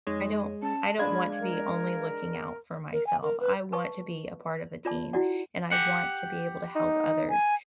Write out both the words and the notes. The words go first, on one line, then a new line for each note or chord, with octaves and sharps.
I don't I don't want to be only looking out for myself, I want to be a part of the team, and I want to be able to help others,
F2 G#3 D#4 C#5
C#4 A5
G#3 D4 D5 F5 B5 G#6
A#4
A#4
G#5
A#4
B4
B4 A5 C#6
F4 D5 A5
E4 F#4 D5 F#5
G4 F#5
D#4
G#5